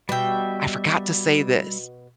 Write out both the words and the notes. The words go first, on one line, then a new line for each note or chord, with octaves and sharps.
I forgot to say this'"
B2 G3 E5 G5